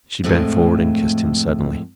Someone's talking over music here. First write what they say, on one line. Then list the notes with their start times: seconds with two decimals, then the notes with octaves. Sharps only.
She bent forward and kissed him suddenly.
0.24 F2 A2 G#3 A3